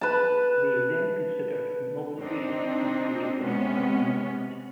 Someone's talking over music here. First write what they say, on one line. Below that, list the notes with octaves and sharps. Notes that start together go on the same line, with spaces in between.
They then considered an obligation to create a youth movement.
B4 A5
C4 D4 D#4
C3 G#3 B3 C#4